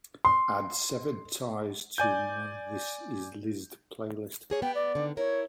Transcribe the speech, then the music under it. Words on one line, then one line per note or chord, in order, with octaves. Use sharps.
Add severed ties to my this is liszt playlist.
C6
D5 G#5 G6
A#3 G#4 C#5
B3 G5
D5
D3 D#3
E4 A#4 C#5